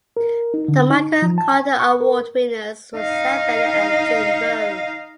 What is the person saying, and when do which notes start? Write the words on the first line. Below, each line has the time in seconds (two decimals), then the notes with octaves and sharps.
The Michael Carter Award winners were Sam Bennett and Jin Bo.
0.17 A#4
0.54 D#4
0.68 D3
0.90 D#4
1.22 F3
1.38 A5
1.52 G#5
1.80 C#6
2.01 A#4
2.96 D#4 F5